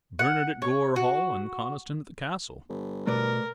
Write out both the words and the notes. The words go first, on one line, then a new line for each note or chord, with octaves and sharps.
"Bernard at Gore Hall and Conniston at the castle."
F#5
C#5
F#4
G1
B2 A3 A#4 B4 D5